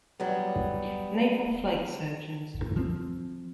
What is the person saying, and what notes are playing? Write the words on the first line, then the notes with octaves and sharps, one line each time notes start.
Naval Flight Surgeons.
F#3 G3 B3
F3 C4